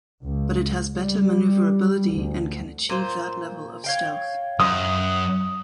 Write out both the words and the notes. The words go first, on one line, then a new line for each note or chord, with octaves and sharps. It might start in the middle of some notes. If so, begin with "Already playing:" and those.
But it has better maneuverability and can achieve that level of stealth.
C#2
G3
D2
A#2 C5
C#5 F5 G5
F#2 D#6